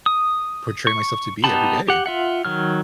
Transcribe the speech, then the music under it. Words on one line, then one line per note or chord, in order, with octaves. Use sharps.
portray myself to be every day.
D#6
C#6
B3 D#4 G4 A5 B5
G4 F#5
F4 E5 F#5
D#3 F#3 F6